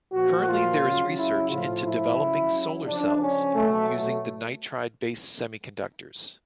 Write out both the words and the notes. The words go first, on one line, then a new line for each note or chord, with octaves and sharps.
Currently there is research into developing solar cells using the nitride based semiconductors.
A#2 F3 F#4
F4
C#3 F#3
E4
A2 F3 F4
E4
C#3 F#3
C#3 F3 D4
C#4
B2 F#3 A3
A3